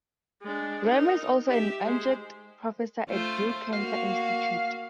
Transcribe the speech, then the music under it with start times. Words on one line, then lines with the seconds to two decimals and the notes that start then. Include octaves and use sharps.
Rimer is also an adjunct professor at Duke Cancer Institute.
0.42 G#3 D4
0.89 D#4 A#4
1.48 G4 E5
1.85 G#3 C5
3.09 A3 F4 C5
3.73 A#3 F#4 F5